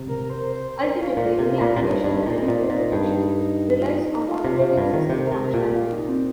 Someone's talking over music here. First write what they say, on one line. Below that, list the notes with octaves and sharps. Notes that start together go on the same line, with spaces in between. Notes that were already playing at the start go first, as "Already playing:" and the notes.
Ultimately, any application-level implementation relies on operating-system functionality.
Already playing: C3
A#4
C5
C5
C5
A#4
F4
A#2
C3
A#2
A#2
G2 D#4
G2
A#2
C4
A#2 D#4
A#2
G2
F4
D#4
D#4
F4
C3
C3
G2
D#3
C3 G4
C3 A#4
A#4
A#2 F4 G4
F4
D#4
C4